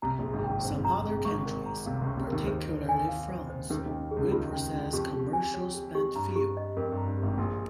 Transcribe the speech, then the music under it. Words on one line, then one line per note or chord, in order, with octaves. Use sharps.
Some other countries, particularly France, reprocess commercial spent fuel.
C2 C3 A#5
A#1 A#2
G#4
G#1 G#2
G5
F2
G2 C5
A#5
G#4
G#1 G#2 C#6
A#4
A#5
C2 C3 F5
C#2 C#3
C#6
C2 C3
A#4
D#2 D#3
C5
C5
G#5
F5
C5
C5
D#2 D#3 C#4
D#2 D#3
C#4
G#4
C#2 C#3
D#2 D#3 F4
C#4
C#4
F2 F3 G4
G4
G#5
C#5
G4
G4
G2 A#5
G4
D#5
F2 A#4
G2
A#5
G2
G4
G#1 G#2
A#1 A#2 C6